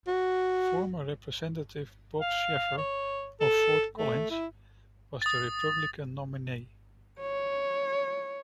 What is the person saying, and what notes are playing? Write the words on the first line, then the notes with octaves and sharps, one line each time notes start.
Former Representative Bob Schaffer of Fort Collins was the Republican nominee.
F#4
F5
C#5
A4
A3
E4
D#6 A6
C#5